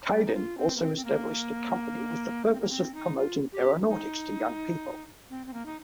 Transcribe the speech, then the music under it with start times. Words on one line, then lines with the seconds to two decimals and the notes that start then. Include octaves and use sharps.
Caidin also established a company with the purpose of promoting aeronautics to young people.
0.11 G3
0.26 D#4
0.34 F4
0.58 C4
0.76 A#3
0.82 C4
0.96 C4
1.05 A#3
2.46 A#3
2.54 C4
2.60 A#3
2.70 C4
2.94 D#4
3.17 F4
3.53 G4
3.88 D#4
5.30 C4
5.46 C4
5.53 A#3
5.66 D#4